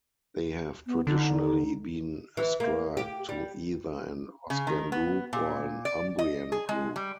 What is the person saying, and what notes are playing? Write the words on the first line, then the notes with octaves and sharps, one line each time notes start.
They have traditionally been ascribed to either an Oscan group or an Umbrian group.
B3
D3 D#4
E3
A#3
G4
G3
C#3
D#3
B3
A#2
D5
D#5
G#4
G#3
G3